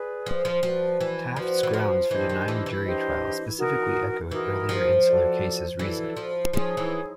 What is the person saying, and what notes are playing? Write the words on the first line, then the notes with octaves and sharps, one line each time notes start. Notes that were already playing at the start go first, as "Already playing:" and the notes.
Taft's grounds for denying jury trial specifically echoed earlier Insular Cases reasoning.
Already playing: G#4 B4 D5
F3
F3
F3 F#4 B4 D5
E3
F3 F#4 B4 D5
E3
F3
E3 D4 G4 C5 D#5
D#3
E3
E3
D4 G4 C5 D#5
D#4 F#4 A#4
E3 D#4 F#4 A#4
F3
F#4 A4 D5
E3 F#4 A4 D5
F3
F3 D#4 G#4 C#5
E3